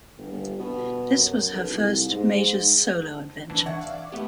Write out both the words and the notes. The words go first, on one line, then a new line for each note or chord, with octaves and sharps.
This was her first major solo adventure.
G1
G1
B2
F#2
B1
C2
G#2
C2 E3 D4
E5 F#5 C#6 G#6
D5 E5 F5
D6
A3 B3 G4